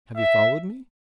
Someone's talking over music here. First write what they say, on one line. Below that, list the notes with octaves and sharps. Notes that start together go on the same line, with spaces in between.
Have you followed me?
E5